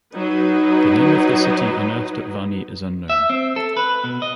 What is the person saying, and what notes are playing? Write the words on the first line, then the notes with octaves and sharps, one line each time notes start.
The name of the city unearthed at Vani is unknown.
F#3 D#4 B4
E5
C4
A4
B4
B2
D#5